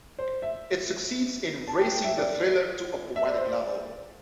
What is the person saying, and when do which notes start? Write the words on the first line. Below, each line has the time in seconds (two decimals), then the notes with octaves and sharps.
It succeeds in "raising the thriller to a poetic level".
0.19 C5
0.42 E5
1.68 A5
1.79 G5
1.92 G5
2.04 E5
2.18 D5
3.16 E5
3.27 D5
3.38 C5
3.49 D5